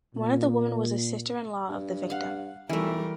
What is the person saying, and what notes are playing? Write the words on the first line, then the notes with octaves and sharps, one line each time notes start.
One of the women was a sister-in-law of the victim.
A#2
G2
F5 F#5
B1 E3 G3 A3 A#4